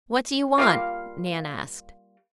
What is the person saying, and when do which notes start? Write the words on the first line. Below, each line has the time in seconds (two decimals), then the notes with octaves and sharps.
"What do you want?" Nan asked.
0.58 G3 A#3 F4 F5